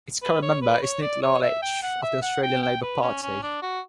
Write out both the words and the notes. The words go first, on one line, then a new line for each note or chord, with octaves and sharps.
Its current member is Nick Lalich of the Australian Labor Party.
B4
C#5
B4
C#5
D5
C#5
E5
G5
F#5
E5
F#5
G5
G5
B4
C#4
C#4
D4
F#4